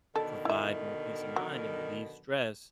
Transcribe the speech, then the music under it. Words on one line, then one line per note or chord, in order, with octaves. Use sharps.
provide more peace of mind, and relieve stress,
B2 D3 D#3 A4
E4 E5
F#3